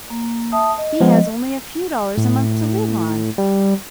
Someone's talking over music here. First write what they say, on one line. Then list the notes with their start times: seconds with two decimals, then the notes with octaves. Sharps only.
He has only a few dollars a month to live on.
0.10 A#3
0.52 E5 A5 D#6
0.78 D#5
1.00 F3 G#3 B3
2.17 A2
3.38 G3